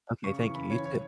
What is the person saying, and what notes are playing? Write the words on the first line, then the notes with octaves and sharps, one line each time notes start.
Okay, thank you, you too.
C#3 C#6
E3 C#6
F#2 B5
E3 C#5
C#5